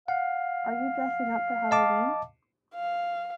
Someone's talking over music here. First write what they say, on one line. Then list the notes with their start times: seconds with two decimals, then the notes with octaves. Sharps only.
Are you dressing up for Halloween?
0.08 F5 F#5
1.71 D#5 A5 D6
2.75 F5